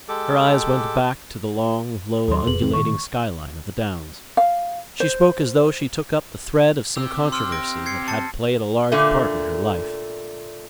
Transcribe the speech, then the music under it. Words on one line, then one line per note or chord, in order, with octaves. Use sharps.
Her eyes went back to the long, low, undulating skyline of the downs. She spoke as though she took up the thread of some controversy that had played a large part in her life.
G#3 G4 A4 D6
D#2 F#3 A4 C6
F1 G#4 B4 F#7
F1 E3 C4
A#2 D#3 A3 C#6
F5
C5
C4 G4 E6
C6 E6 F6
D6 A#6 D7
G#6 C7 C#7
A5 A6 C#7
A#2 D3 A3